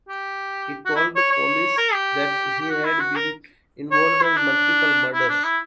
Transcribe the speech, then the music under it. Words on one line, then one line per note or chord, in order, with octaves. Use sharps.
He told police that he had been involved in multiple murders.
G4
F#4
E4
C#5
C#5
A#4
G4
G4
F#4
E4
F#4
A#4
C#5
E4
D4
E4
D4
E4